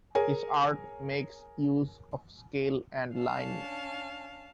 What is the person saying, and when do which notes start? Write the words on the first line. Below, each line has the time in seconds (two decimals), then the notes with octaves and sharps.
His art makes use of scale and line.
0.15 G#4 A#4 C#5 G#5
3.16 C#4 D4 F5 A5